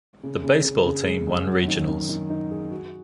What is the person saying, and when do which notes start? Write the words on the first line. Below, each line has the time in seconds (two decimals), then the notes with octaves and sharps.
The baseball team won regionals.
0.23 C#3
0.44 C#3
0.64 C#3
0.85 C#3
1.06 G#3
1.27 F#2
1.47 F#3
1.68 D#3
1.88 D#3
2.09 D#3
2.30 D#4
2.51 G#4
2.71 F#4